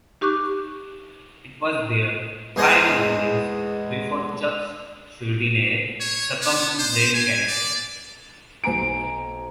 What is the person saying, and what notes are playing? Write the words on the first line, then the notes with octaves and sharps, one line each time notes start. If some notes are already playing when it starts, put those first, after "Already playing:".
It was their final release before Chuck Schuldiner succumbed to brain cancer.
D#4 G4 C#6 D6 F#6
E2 G#3 G#4 C5 D#5 F#5
C#5
B3
C5
G#5
D5
B1 C5 G#5 A#5 D7